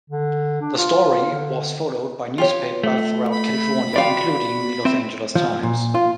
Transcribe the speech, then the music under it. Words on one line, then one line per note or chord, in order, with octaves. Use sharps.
The story was followed by newspapers throughout California, including the "Los Angeles Times".
D3
D4
F4
D3
F4 G4 C#5
A3
B5
F4 F#4 D5 F5 G5
C4 E5
F3
A#2
F4